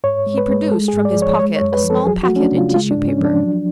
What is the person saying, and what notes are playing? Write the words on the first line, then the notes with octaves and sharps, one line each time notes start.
He produced from his pocket a small packet in tissue paper.
G#2 C#5
G#3
B4
G#3
G#3 A4
G#4
G#2
D5
F3
C#5
G#3 C#5
C#5
F#2
B4
F3
A4
F#3 G#4
F#4
A3
C#4
D4
C#3
F4
G#3 F4
D4
G#2
C#4
F3
D4
F#3